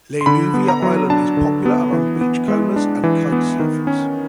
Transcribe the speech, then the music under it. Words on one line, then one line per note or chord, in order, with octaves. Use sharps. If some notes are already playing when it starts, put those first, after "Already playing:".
Leleuvia Island is popular among beachcombers and kite surfers.
C6
D3 B5
B3
A#5
F#3
D4 A5
D3
B3
E3
B3
G#3
D4
E3
B3
D#3
C#4